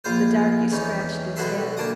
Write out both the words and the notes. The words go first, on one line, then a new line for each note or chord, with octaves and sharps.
The darky scratched his head.
A#1 F4 C5
E2 C#4 D#4
B1 F#2 F#4 A4 E5 C6
D2 A#3 A5 D6 D#6